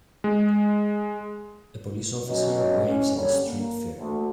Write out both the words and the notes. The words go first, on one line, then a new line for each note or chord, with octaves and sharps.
A police officer waves at a street fair.
G#3
B1 F#3 C#4 F#4 B4 D#5
C#4
D3 G3 A#3 C#4
A#3
D2